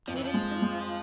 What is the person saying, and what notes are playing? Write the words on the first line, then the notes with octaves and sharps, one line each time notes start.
Heard anything?'
F2 F3
E3
F3
G#3
G#3